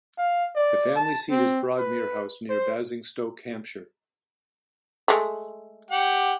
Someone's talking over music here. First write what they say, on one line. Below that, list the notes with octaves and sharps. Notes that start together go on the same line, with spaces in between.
The family seat is Broadmere House, near Basingstoke, Hampshire.
F5
D5
A5
C4
B4
C5
G#3 A3
G4 F#5